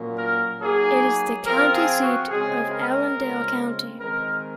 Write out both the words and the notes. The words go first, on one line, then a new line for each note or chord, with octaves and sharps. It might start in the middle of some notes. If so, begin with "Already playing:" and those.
It is the county seat of Allendale County.
Already playing: A#2 F#3 A#3 C#4
A#4
F#3 A#3 D#4 G#4
F3 C4 F4 A#4
G#4
F#4
C#3 G#3 C4 G#4
A#4
C#3 G#3 C4 F4
D#3 G#3 C4 A#4